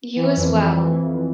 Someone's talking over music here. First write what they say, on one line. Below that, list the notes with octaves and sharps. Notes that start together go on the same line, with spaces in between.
You as well.
E3
F2
F2
E3
F2